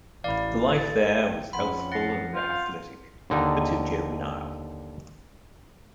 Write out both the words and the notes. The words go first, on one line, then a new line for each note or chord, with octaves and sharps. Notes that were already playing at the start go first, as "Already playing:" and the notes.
The life there was healthful and athletic, but too juvenile.
A1 E3 D5 F5 B5 D6
A4 A6
G5
F2 C#4 F#5 B5 C6
F#5 A6 A#6 C7
F4 F5 G6
D#2 D3 D#4